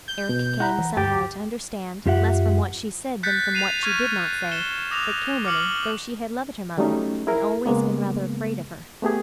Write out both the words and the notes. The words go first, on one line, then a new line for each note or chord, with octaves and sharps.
Eric came somehow to understand, less from what she said than from what she did not say, that Kilmeny, though she had loved her mother, had always been rather afraid of her.
G6
B2
E4 F#5 A#5 B5
E3
D2 G2 G4 A6
F#2 F4 G4 E5 F#5
F#6 G6 A6 B6 C#7
B6 C7 D#7 F7
C#6 F6 G#6 B6 D#7
B6 C#7 E7 G7
D6 D#6 F#6 A#6 F7
D6 F6 C#7 F#7
F#3 G3 A3 C#4 D#4
E4 G#4 A#4
C#3 G#3 A#3 B3
A3 B3 G4 G#4